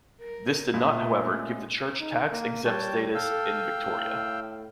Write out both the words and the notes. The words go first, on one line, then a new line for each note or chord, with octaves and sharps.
This did not, however, give the Church tax exempt status in Victoria.
A#4
A#2 G#3 A3 B3 F4
C#3
D#4
A#3
G3 C#5 G5 A5
A4 F5 G5 E6
A2